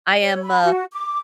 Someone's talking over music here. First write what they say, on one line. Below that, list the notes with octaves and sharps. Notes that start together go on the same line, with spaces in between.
I am, uh
C#5
B5
F#4
D6